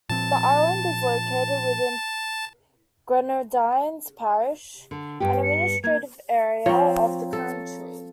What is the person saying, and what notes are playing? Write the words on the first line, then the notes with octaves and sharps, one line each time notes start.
The island is located within Grenadines Parish, an administrative area of the country.
A#2 F3 C4 A5
D3
G2 B3 G4 G5
C#7
A#3 G#6
F3 C4 C#5 A#5
A4